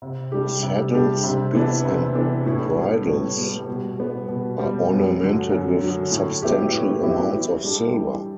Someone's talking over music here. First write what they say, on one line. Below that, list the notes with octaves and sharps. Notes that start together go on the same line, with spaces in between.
Saddles, bits and bridles are ornamented with substantial amounts of silver.
C3
G3 D4 G4
C3
G3 D4 G4
C3
E3 B3 D4
C3
E3 B3 D4
A2
G3 B3
A2
G3 B3
B2
G3 B3
B2
G3 B3
F#2
D3 F#3
F#2
D3 F#3
A2
F#3 B3 E4 G4
A2
F#3 B3 E4 G4
E3
G3 D4 G4
E3